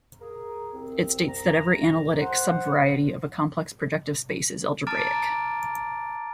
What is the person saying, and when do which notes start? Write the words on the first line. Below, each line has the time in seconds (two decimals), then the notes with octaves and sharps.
It states that every analytic subvariety of a complex projective space is algebraic.
0.21 G#4 A#4
0.73 C2 C4
1.28 A#5
2.22 C5 F#5
4.87 A5 A#5 D6 F6 A6 D7